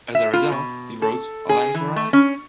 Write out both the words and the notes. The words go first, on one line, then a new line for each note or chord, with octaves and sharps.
As a result, he wrote A Life for a Life?
E5
F4
B2
A4
G#4
E3
A3
C#4